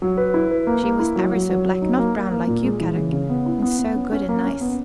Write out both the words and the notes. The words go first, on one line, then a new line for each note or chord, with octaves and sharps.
She was ever so black, not brown like you, Kadok, and so good and nice.
F#3
B4
E4
B4
A#3
A#3
E4
F#3
F#3
F#3
F#3
D#4
A#3
A#3
A#3
A#2
G#3
E3
C#3
C#3
B3
E4
B3
B3
C#4
C#4
A#3
C#4
B3